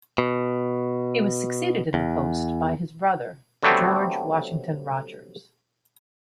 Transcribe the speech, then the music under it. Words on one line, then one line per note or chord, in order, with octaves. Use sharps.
He was succeeded in the post by his brother George Washington Rodgers.
B2
E2
D3 F#3 G3 A3 B3 C4